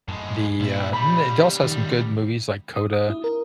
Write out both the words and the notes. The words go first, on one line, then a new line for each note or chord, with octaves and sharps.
the, uh the they also have some good movies like CODA
F#2 A2 G#3
C#2 A#2 E4
C#2 G3 B5
D#3
D#6
D#6
E4
A#4